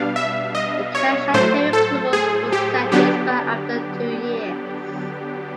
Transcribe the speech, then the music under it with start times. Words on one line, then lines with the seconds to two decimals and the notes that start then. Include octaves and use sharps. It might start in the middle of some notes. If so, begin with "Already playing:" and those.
The cash-and-carry clause was set to expire after two years.
Already playing: B2 G3 B3 D4 F5
0.16 E5
0.55 D#5
0.95 C#5
1.34 A2 F#3 A3 C5
1.73 A4
2.13 G#4
2.53 G4
2.92 D3 F#3 B3 D4 G4